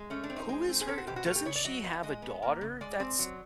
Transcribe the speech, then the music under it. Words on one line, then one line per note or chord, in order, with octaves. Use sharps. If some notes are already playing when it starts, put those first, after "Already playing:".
who is her doesn't she have a daughter that's
Already playing: G#3
A3 C#4
D4
C4
D#4
G#3
C4
G#4
C4 A4
F#4
B2 G4
F#4
A3 F4
G4
C#3 C#5
D5
F#3 D#5
B3 D#5
G#3 D#5
B3
A#3
C#3
G#3 D5
C4
F#3